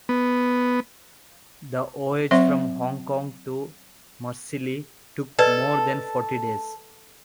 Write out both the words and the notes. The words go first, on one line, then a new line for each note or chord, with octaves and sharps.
The voyage from Hong Kong to Marseille took more than forty days.
B3
F#3 C4 C5 E5 C6
A4 B4 D5 D#5